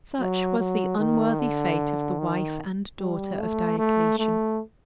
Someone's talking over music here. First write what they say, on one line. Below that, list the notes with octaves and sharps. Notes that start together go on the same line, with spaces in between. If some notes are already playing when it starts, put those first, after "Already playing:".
Such was the unworthy fate of the wife and daughter of Diocletian.
F#3
F#3
D#3
D3
D#3
G3
A3
A3
A3